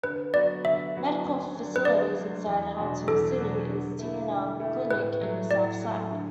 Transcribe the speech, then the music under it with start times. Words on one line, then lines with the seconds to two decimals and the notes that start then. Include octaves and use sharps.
Medical facilities inside Haltom City is the T and R Clinic in the south-side.
0.03 D3 B4
0.33 F#3 B3 F#4 D5
0.64 D3 E5
0.95 F#3 B3 F#4
1.25 D2
1.55 D3 F#3 D4
1.76 B4
1.85 D2 D5
2.16 D3 F#3 D4
2.46 E2
2.78 B2 F#3 D4 F#4
3.07 E2 A4
3.38 B2 F#3 D4 F#4
3.69 D3
3.99 A3 E4
4.30 D3
4.60 A3 E4
4.91 A2 B4
5.21 F#3 A3
5.51 A2 D5
5.82 F#3 A3
6.12 D3